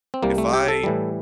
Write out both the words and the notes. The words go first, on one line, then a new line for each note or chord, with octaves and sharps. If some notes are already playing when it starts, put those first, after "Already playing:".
if I
C4
C2 C3 G3 A#3
A3
G4
A4
A2 E3 G3